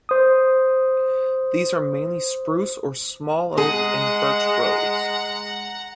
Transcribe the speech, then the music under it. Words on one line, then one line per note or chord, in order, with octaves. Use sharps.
These are mainly spruce or small oak and birch groves.
C5 D#6
G#3 G#4 F#5 A#5